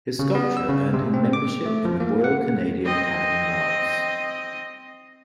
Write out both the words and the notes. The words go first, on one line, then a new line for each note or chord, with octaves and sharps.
His sculpture earned him membership in the Royal Canadian Academy of Arts.
C#3
B3
E6
C#3
C3
C4
D6
A3
F3
A#3
F#5
C4 D#5